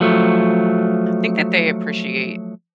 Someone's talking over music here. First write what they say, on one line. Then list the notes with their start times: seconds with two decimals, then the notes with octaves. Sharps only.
think that they appreciate
0.01 F3 F#3 A3